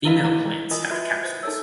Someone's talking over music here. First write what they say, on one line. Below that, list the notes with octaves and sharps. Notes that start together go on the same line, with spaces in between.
Female plants have capsules.
E4 A#4 B4 D#5 F5 B5
A#5 B5
F4 A#4 D#5 G#5 D#6
F4 F#4 B4 E5
C5
D#4 A4 A#4 C#5 E6